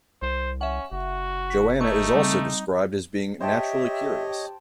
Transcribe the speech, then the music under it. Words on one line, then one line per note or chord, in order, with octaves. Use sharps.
Joanna is also described as being naturally curious.
C2 C5
C#4 E5 F#5
F#1 F#4
B6
A3 D#4 C#6
C#3 G3 C4
G4 C5 C#5 D#5 E5 G5 A5